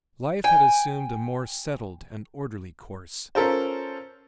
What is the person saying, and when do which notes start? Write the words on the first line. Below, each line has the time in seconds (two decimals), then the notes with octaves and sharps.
Life had assumed a more settled and orderly course.
0.44 G5 G#5
3.35 C#4 F4 A4 A#4 C5